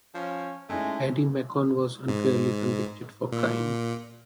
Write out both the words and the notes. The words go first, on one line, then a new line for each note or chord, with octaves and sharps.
Eddie Macon was unfairly convicted for crime.
F3 C#4
G#3 A3 C#4 D#4 E4 G#5
G#2
A#2